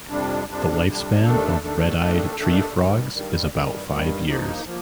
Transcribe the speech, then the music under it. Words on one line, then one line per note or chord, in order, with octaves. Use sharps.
The lifespan of red-eyed tree frogs is about five years.
F2 C3 G3 D4
F2 C3 G3 D4
F2 C3 G3 D4
D#2 D#3 A3 D4 A4
D#2 D#3 A3 D4 A4
D#2 D#3 A3 D4 A4
D#2 D#3 A3 D4 A4
G2 D#3 G3
G2 D#3 G3
G2 D#3 G3
G2 D#3 G3
G2 F3 A#3 D#4
F3 A#3